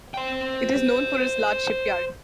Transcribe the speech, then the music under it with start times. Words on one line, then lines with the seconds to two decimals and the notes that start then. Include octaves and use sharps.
It is known for its large shipyard.
0.14 C5 G5